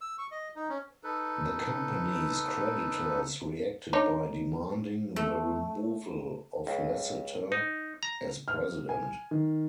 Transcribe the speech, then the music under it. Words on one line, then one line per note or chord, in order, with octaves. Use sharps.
The company's creditors reacted by demanding the removal of Lassiter as president.
E6
C#6
D#5
D#4
C#4
D#4 A4 B4
D4 D#4 C#5
A3
C#2
D#4
A#5
F6
G#5
D#3